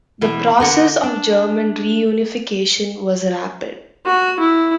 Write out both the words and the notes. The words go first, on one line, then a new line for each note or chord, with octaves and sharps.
The process of German reunification was rapid.
B2 E3
D3 A#4 F#5
D4
F#4
E4